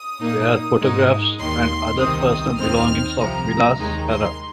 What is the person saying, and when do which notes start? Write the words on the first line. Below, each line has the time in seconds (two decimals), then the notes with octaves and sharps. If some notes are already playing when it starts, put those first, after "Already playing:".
There are photographs and other personal belongings of Villa's era.
Already playing: D#6
0.20 A#2 A#3 D#4
0.80 G#2 G#3 D#4
1.40 D#2 D#3 A#3 C6
1.99 C2 C3 D#3 C4 D#4 D#6
2.59 D#2 D#3 C4 F6
3.19 C2 C3 F3 A#5
3.78 D#2 D#3 G#3 D#4 A#5
4.08 C6